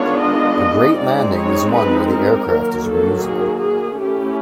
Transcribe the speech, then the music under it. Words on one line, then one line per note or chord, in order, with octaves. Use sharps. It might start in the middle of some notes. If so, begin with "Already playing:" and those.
A great landing is one where the aircraft is reusable.
Already playing: D#3 G#3 B3 D4 F4 C#5
D#5
G#3 C4 D#4 D5
C#5
B4
A#4
D#3 F#3 A#3
A4
G#4
G#4
A3 C#4 E4 G4